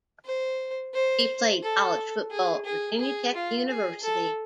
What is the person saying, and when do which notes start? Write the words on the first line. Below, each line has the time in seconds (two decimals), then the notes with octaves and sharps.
He played college football at Virginia Tech University.
0.25 C5
0.94 C5
1.63 A4
2.31 G#4
2.65 G#4
3.00 G#4
3.34 F4
3.69 G#4
4.02 A4